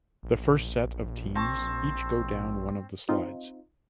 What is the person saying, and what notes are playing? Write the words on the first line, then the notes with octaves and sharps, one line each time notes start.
The first set of teams each go down one of the slides.
A#1
C4 A5 C#6
C4 D#4 F4